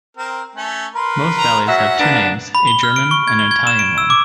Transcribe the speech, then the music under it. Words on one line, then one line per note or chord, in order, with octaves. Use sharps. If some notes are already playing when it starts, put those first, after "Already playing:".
Most valleys have two names, a German and an Italian one.
C4 A#4
A3 C#4
A#4 B4 C6
A#5
F#3 C#4 E5 F#5
A#3 B3 D4 A#4
B5
G7
F6
D7
C#6
G#6
G7
G#6
E7
D7
E6
D6